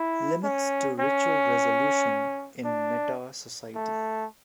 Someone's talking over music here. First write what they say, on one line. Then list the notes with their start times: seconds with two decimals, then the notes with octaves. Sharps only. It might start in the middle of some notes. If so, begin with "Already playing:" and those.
Limits to Ritual Resolution in Meta' Society.
Already playing: E4
0.43 C#4
0.99 C#4
2.65 D4
3.76 A3